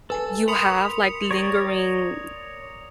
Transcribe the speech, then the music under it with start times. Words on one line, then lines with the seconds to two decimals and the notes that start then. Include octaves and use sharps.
you have like lingering,
0.10 A4 B4 G#5
0.48 A#4 B5 C6 D#6 C#7 F7
1.31 C#5 D5 A#5